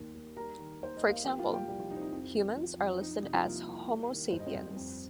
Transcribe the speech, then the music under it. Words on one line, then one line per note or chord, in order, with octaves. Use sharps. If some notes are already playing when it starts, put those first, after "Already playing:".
For example, humans are listed as "Homo sapiens".
Already playing: D#2 D#3 G3
D#2
G3 A#4 A#5
D#3
D#2 C5
D#5
D#2
F5
F3 G4 G5
F4 F5
A#2
G4 G5
C2 G3 G4
F3 F4
C2 D#4
C4
D#4
F2 C4
F3
F3
F2
C4
F3 D#4
D#4
C3 D#4
F3 F4
C2 A#3 A#4
C2
G3
D#3
G2 C5
D#5
C4 C5
G2
F2